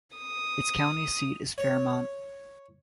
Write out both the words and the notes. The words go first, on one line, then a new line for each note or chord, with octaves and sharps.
Its county seat is Fairmont.
D#6
C#5